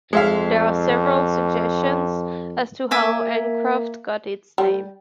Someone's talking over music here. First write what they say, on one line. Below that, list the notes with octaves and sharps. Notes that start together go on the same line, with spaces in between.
There are several suggestions as to how Ancroft got its name.
F2 G#3 E5 F5
A#3 E5 G#5 D6
G3